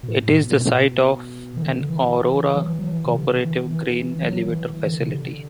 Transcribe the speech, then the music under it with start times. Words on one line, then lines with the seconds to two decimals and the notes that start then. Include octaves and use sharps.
It is the site of an Aurora Cooperative grain elevator facility.
0.03 B2
0.08 A2
0.35 B2
0.56 A2
0.60 B2
1.57 E3
1.63 D3
1.81 D3
1.90 E3
2.54 F#3
2.67 E3
2.79 F#3
2.92 E3
3.06 C3
3.18 D3
3.44 E3
3.70 E3
4.22 F#3
4.48 E3
4.73 E3
4.86 D3
4.99 C3
5.11 D3